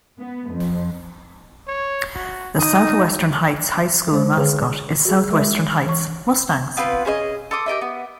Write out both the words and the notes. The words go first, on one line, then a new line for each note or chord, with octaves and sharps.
The Southwestern Heights High School mascot is Southwestern Heights Mustangs.
B3
F2
C#5
F#4
D#4 D#6
G#3 C5
D3 G#4 B4 C#5 F5
F#4 G#4
G#3 A#4 E5
E3 C#6
B3 C4 F4 B4
C#4 G#4 C5 D#5
A4 C6 D6 D#6
G4 A#4 D#5 E5
B3